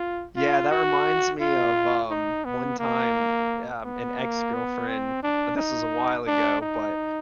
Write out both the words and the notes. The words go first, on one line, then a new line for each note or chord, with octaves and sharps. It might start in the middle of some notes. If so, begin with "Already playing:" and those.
Yeah, that reminds me of, um, one time, um, an ex-girlfriend this was a while ago, but,
Already playing: F4
F4
F#4
F4
D#4
B3
A#3
B3
A#3
B3
C4
D4
D#4
D4
D#4